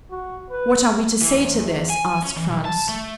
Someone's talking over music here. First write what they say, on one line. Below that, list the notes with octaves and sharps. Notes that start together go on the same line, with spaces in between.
"What are we to say to this?" asked Franz.
F#4
B4
E3
E2
E2
G#5
C#4
E3
B1
A5
A3